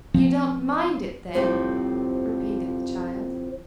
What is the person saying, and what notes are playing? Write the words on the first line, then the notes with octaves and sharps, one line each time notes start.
"You don't mind it, then?" repeated the child.
F3 C4
F2 A2 C3 F3 G3 G4